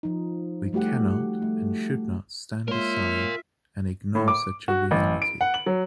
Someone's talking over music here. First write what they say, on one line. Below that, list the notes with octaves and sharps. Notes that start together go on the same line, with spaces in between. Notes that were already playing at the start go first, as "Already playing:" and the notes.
We cannot and should not stand aside and ignore such a reality.
F3 D#4
G3 A3 F#4 G4 F#5
A3
G#3 A#3 F4 A#4 C#5 E5 C6
A2
D6
F#4
A1
D7
F#5
F#7
F#3